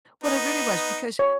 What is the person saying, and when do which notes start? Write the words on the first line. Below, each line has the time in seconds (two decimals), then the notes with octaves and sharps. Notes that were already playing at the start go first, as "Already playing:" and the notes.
What it really was because,
0.24 B3 D#4
1.19 C#5